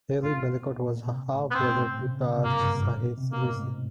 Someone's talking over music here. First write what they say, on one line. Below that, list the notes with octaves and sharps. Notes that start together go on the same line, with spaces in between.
Haile Melekot was half-brother to Darge Sahle Selassie.
A2 F4
B2
B2
A#2
A#2
C3
A2
B3
G#2 C4
A2
A#2
B2
C3
C#3
B2
C3
G2 A#3
F#2
G2
G#2
A2
B2
C3
B2 A#3
A2
G#2